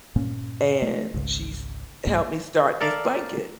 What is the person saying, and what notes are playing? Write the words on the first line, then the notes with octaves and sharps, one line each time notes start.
and she's helped me start this blanket,
G2 A#2 A#3 C#4
A3
G#1 C#2 C#3
C2 G#2 G3 A#3
A4 A#4 D5 E5 F5